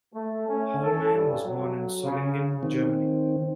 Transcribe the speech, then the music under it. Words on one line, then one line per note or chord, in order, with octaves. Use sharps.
Hollmann was born in Solingen, Germany.
A3
C#4
A4
G2
F#3
C#3
D#3 C4